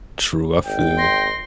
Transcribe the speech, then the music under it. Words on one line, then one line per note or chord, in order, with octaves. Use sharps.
True. I feel it
G#1 G5
C6 A#6